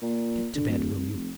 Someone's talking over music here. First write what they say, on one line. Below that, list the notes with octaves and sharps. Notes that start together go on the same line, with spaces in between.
Get to bed, will you?
A#2
D3
D1
C2
F1